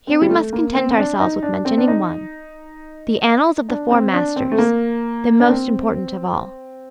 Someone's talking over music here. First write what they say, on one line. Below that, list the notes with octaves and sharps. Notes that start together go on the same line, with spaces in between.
Here we must content ourselves with mentioning one, the Annals of the Four Masters, the most important of all.
C4
G3
A3
A#3
C4
C4
D4
D#4
D4
C4
D4
D#4
D4
C4
D4
C4
A3
A#3
D4
C4